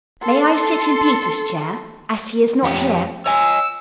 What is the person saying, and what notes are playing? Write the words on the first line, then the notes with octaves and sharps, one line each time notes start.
'May I sit in Peter's chair, as he is not here?'
A4 C6
F2 C#4 G4
C#5 D#5 G#5 E6